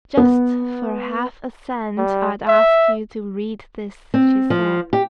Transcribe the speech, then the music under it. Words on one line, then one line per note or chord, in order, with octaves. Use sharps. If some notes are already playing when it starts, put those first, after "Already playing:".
"Just for half a cent I'd ask you to read this," she said.
B3
G3
E5
C4
F3
G4